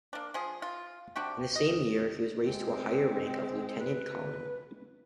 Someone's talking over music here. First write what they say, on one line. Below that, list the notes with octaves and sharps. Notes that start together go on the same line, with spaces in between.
In that same year, he was raised to a higher rank of lieutenant colonel.
A#3 D4
F3 G#4
F4
C3 D4 F#4 G4
D#5
G#3 C4
B4